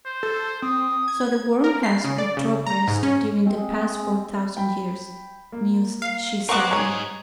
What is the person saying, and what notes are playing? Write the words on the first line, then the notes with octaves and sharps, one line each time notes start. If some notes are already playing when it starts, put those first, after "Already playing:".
"So the world has retrogressed during the past four thousand years," mused she sadly.
C5
A4
C4 D#6
G#6
A#4
C7
C#3
D5
C#3
A#5
G#2
C#4
G#3 C4
G5 B5
A#3
F5
B3 C4 A#4 F#5 C#6 D6 F#6
G#2 G3 G#4 C#5 A#5 G#6